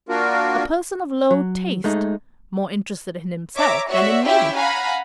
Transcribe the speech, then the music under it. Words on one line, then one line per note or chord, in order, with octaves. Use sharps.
A person of low taste, more interested in himself than in me.
A#3 D4 F4 F#4 A#4
F#3
G#3 A3 D#4
C#5 E5 A#5 D6
F#4 C#5 D5 E5
C#4 E4 F4 G4 E5 G5
F5 F#5 G#5 A#5 B5